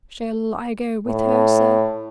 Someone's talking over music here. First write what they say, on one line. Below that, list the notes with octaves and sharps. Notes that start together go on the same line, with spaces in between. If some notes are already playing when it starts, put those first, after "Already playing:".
"Shall I go with her, sir?"
A2